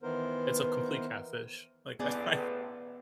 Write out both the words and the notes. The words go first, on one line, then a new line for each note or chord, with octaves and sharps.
it's a complete catfish. Like, I I
D#3 E3 B3 A#4 C5
A1 B3 G#4 B4 D5